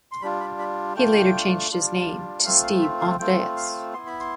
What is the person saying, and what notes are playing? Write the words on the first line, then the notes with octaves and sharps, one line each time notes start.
He later changed his name to Steve Andreas.
C6
G3 D4 F4 B5
B5
B5
A3 D4 F4 G5
G3 D4 F4
A3 C4 F4 F5
F5
E5
F5
A3 C4 F4 G5
F5
B3 E4 C6
B5
C6